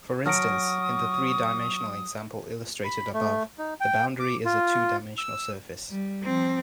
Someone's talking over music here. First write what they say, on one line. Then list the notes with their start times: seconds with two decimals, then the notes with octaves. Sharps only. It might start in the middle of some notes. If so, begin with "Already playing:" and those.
For instance, in the three-dimensional example illustrated above, the boundary is a two-dimensional surface.
0.26 F#3 F#5 A5 C#6 D#6 F6 A#6 D7
2.85 B5
3.13 A3
3.58 D#4
3.80 G5
4.20 D6
4.45 F4
5.18 E6
5.90 G3
6.23 F3 C4